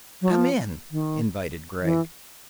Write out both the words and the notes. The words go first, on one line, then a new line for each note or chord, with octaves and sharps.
"Come in," invited Gregg.
F#3
F3
D#3
E3